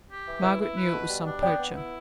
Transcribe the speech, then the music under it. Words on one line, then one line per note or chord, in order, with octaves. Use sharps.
Margaret knew it was some poacher.
G4
E3
E4 B4 E5
E4
B4
B2
G3
D4
B3 D5 G5
B3
E4